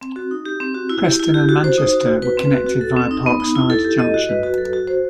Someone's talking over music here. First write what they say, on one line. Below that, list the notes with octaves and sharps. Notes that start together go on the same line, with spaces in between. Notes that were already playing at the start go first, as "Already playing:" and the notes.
Preston and Manchester were connected via Parkside Junction.
C4
F#4
D#4
G4
C4
F#4
E4
G4
E4
G4
F#4
C5
D#4
F#4
F#4
B4
C4
F#4
F#4
A4
C4
D#4
B3
D#4
E4
A4
G4
D#5
F#4
B4
F#4
A4
F#4
C5